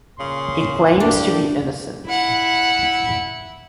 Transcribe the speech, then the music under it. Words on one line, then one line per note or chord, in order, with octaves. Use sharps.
He claims to be innocent.
A#2 C#3 C6
A2 D3 A#3 D4 G4 A#4
E4 F#5